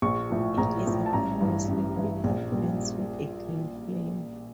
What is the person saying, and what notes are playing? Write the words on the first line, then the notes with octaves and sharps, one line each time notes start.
It is a colourless liquid that burns with a green flame.
A#1 C#6
A2 F3
A#1 A#5
A2 F3
A5
A1 A#5
G2 E3
A1
G2 E3
A#1
A#2 G3